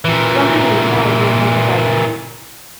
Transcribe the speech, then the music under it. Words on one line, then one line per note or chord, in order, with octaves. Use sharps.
Right, right, no, yeah, you're right,
A#2 E3